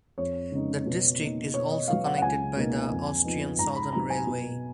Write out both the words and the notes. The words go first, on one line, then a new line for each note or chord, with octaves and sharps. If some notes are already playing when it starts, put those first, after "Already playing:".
The district is also connected by the Austrian Southern Railway.
F2 C#5
C#3 G#3 B3 D#4
B2
A#3 D#4
B2 C#5
D#5
F#3 B3 F5
F#5
F#5
C#2 G#5
B2 A#3 D#4
F2
F3 B3 D#4
G#2 A#5
B5
F#3 B3 D#4 A#5
G#5
B2